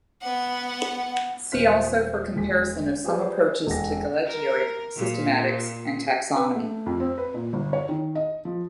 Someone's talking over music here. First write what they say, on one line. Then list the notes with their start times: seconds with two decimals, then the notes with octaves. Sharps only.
See also for comparison of some approaches to gelechioid systematics and taxonomy.
0.22 B3 F#5
1.52 D#1 A#2 C5 F6 F#6 B6
2.36 E1 G#3 B6
3.04 F4 G4 G#4 B4 C5 D5
3.67 E1 A4 F#5 A#6
4.26 A#4
4.96 A#2
6.36 B4
6.56 A3
6.86 F2
7.00 C4
7.18 B4
7.34 A#2
7.53 G1
7.73 C#5
7.89 D#3
8.15 D#5
8.45 F3